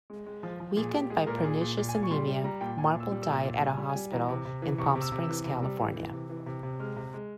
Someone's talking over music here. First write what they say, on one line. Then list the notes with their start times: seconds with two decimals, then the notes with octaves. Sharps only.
Weakened by pernicious anaemia, Marble died at a hospital in Palm Springs, California.
0.10 G#3
0.26 G#3
0.43 F3
0.60 F3
0.76 A#2 G#4
0.93 A#2 G4
1.10 G#3 G#4
1.27 A#2 A#4
1.44 A#2 G#4
1.61 A#2
1.77 A#2
1.89 G#5
1.94 A#2
2.03 C#6
2.11 G3 C6
2.27 G3
2.44 G3 A#5
2.61 A#2 G5
2.78 A#2 G#5
2.95 A#2
3.00 E6
3.11 G3
3.22 E6
3.28 A#2
3.44 A#2
3.61 G3
3.67 G#5
3.78 G3
3.89 G#5
3.95 G3
4.12 E3 A#5
4.29 C3
4.45 C3
4.62 E3
4.78 C3 C#6
4.95 C3
5.01 E6
5.12 C3
5.23 E6
5.29 E3
5.46 C3
5.62 G3
5.79 E3
5.96 E3
6.12 C3
6.30 E3
6.46 C3
6.63 C3
6.80 G#3 F6
6.96 C3
7.14 G#3